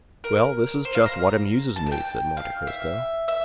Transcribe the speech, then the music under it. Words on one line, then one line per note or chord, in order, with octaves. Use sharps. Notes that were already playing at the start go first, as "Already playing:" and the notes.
"Well, this is just what amuses me," said Monte Cristo.
A#4
C5
F5
A#5
A5
A5
G5
F5
E5
E5